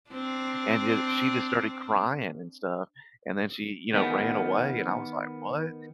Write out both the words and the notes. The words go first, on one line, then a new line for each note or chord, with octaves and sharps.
and ju she just started crying and stuff, and then she, you know, ran away, and I was like, "What?"
C4 D4
D#3 B3